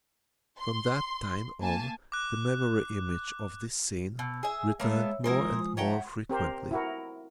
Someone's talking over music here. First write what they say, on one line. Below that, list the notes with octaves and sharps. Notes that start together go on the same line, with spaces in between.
From that time on, the memory image of this scene returned more and more frequently.
C6
A#3 G#5 A5
D6 F#6
B2 E6
G#4 E5
G#3 A#3 B3 C#5 E5 A5 E6
F3 G#3 E4 F4 A#4 C5 D#6
C#5 E5 F#5 G5 A5 A#5
C4 G4 A#4 C5
E4 F#4 A#4